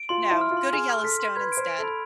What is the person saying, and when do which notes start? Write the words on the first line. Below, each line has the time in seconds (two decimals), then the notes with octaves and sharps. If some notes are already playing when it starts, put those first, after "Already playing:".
No, go to Yellowstone instead.
Already playing: D7
0.09 F4 C6
0.25 C6
0.31 E4
0.41 F6
0.51 F4
0.57 C6
0.73 G#4 F6
0.88 F6
1.04 A4 B6
1.20 C6
1.36 B4 G#6
1.52 D7
1.57 C5
1.67 D7
1.79 A4
1.84 B5